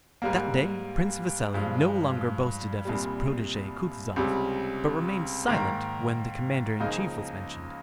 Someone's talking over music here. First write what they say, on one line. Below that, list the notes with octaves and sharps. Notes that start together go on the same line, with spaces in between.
That day Prince Vasili no longer boasted of his protege Kutuzov, but remained silent when the commander-in-chief was mentioned.
G#2 G3 A#3
G2 F3 G#3
C2 A#2 G3
C#2 C3 G3
G#2 D#3 A#3
C#2 C#3 F3 A#3 D#4